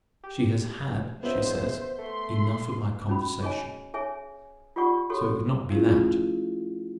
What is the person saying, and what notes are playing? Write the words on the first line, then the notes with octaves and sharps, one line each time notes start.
"She has had," she says, "enough of my conversation," so it could not be that!
G4
C#2 B3 C5 E5
A3 C6
C#4 F#4 B5
G#4 C#5 D#5 G#5
G#4 C#5 E5 G#5
F4 G4 D5 F#5 C#6
F#4 G4 A4 C#5 C6
F3 A3 C#4 E4 F4 G#4